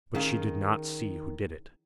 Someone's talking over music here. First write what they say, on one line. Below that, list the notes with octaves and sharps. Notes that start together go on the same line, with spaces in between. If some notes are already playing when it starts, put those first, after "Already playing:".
But she did not see who did it.
D#3 C#4 G#4 F5